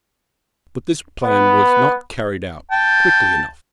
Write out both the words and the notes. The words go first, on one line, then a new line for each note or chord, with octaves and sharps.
But this plan was not carried out quickly enough.
B3 B4
G5 A5